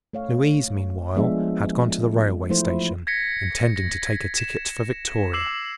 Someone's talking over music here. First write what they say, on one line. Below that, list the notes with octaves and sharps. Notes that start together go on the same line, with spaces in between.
Louise, meanwhile, had gone to the railway station, intending to take a ticket for Victoria.
A3 C#5 F5
F3 G#3 B3 D4 G#4 E5
E3 F3 A3 E4 C5
G#6 A#6 B6 C#7
A#6
E7
D6 E6 C7 E7 F#7